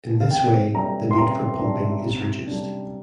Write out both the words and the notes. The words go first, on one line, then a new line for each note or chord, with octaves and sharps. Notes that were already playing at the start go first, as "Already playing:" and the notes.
In this way, the need for pumping is reduced.
F5
C3 G5
G3 D4 A#5
C6
C3 A#5
G3 D4
C3
G3 D4